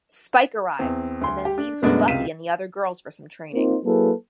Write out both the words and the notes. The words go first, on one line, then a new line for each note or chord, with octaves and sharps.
Spike arrives and then leaves with Buffy and the other girls for some training.
E2 C4
D2 C6
G4
D4
F#2 B2 G#3 A3 B3 D4
C#2 C3 F5 B6 D#7 E7
A#3 C4 D#4 F4 C5
F#3 A#3 E4 G#4 A4 B4